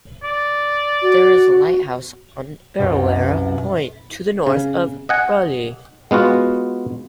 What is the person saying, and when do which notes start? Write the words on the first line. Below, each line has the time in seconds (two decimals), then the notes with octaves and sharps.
There is a lighthouse on Burrewarra Point to the north of Broulee.
0.23 D5
1.02 F#4
2.79 C2 F#2 B2
4.47 C#3
5.09 D#5 F#5 G#5
6.11 G#3 B3 F4 F#4